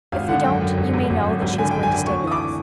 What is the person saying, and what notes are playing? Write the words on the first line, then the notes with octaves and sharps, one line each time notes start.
If we don't you may know that she is going to stay with us.
G#1 F5
D3 F#5
F#2 G5
F#2
G#1
G#1
G#1
F#2
G#1
D3 G#5
F#2 G5
G#5
D3
D2 C#6
E3 D#6
D6